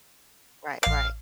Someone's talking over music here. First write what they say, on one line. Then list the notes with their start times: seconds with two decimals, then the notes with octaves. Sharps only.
Right, right.
0.83 A1 F5 D6